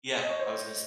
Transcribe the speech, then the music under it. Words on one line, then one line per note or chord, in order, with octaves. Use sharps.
Yeah. I was gonna s
D#5
C#5
C5